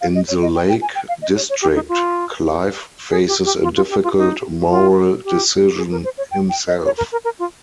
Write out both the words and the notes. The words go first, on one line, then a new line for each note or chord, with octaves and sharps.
In the Lake District, Clive faces a difficult moral decision himself.
F5
D#5
C#5
D#5
G5
G5
G#5
G5
F5
D#5
C#5
C#5
G4
D#4
F4
G#4
G4
G4
F4
F4
G4
F4
D#4
F4
G4
G#4
A#4
C5
C#5
G5
G5
D#5
C#5
A#4
A#4
A#4
F4